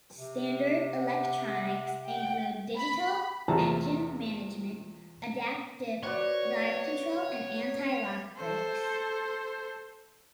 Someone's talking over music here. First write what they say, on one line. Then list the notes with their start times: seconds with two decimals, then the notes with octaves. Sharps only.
Standard electronics included digital engine management, adaptive ride control and anti-lock brakes.
0.16 C3
0.97 F#5
2.05 F#5 G5
2.76 B5
3.48 E2 C3 F3 E5 A5 A#5
6.03 F#4 B4 C#5 D5
8.37 A4 C5